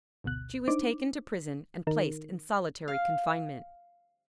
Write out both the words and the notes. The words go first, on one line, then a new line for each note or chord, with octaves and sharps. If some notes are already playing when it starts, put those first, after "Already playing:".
She was taken to prison and placed in solitary confinement.
G#1 D2 B2 F#6
D4 D#4 C5 D6
D#3 D#4 A#4
F5